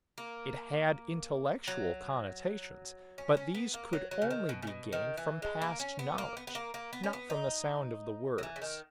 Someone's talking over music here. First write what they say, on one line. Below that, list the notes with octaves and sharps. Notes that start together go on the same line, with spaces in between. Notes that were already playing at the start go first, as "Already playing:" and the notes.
It had intellectual connotations, but these could only be gained from past knowledge, not from the sound of the words.
A#3
F#3
C#4
C#4
B3
A#3
F#3
F#3
C#3
D#3
B2
C#3
B2
D#3
E3
G#3
A#3
C#4
B3
A#3
B3
B3
A#3
A#3
B3
C#4
B3
D#4
F#3
E3
C#3
D#3